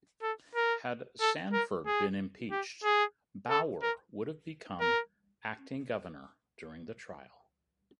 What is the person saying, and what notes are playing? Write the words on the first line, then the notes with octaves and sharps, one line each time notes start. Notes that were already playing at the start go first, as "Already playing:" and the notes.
Had Sanford been impeached, Bauer would have become acting governor during the trial.
A4
A#4
A4
A#4
G#4
G4
G#4
A4
A#4
A#4